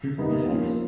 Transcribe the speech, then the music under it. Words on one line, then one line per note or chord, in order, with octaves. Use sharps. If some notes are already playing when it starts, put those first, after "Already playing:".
Truth matters.
C3 D#3 G3 B3 D#4
F3 A#3 C#4 F4 A#4